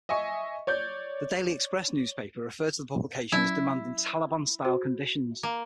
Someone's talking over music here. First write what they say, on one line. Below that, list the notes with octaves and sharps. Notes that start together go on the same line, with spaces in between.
The "Daily Express" newspaper referred to the publication as demanding "Taleban-style" conditions.
D#5 E5 G#5 C#6
C#5 D5 G6
F#3 C#4 E4
F#4 C5
A#3